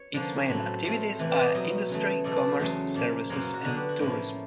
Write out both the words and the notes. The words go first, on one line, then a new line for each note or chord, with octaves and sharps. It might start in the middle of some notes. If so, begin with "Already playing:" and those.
Its main activities are industry, commerce, services and tourism.
Already playing: C#5
D3 F3 A#3 C#4
A2 F#3 A3 C4
A2 F3 A3 C4
C3 E3 A3
D5
D#5
B2 F#3 B3 D#5
C#3 E3 A3
B2 F#3 A3 D5
D5
E2 C#3 F#3 A3 C#4 C5
A#2 F3 A#3
F#2 C#3 F#3 A#3 C#4 A#4
F4
F#4
D3 F#3 B3 F#4
G4
F#4
A2 F3 A#3 C#4 E4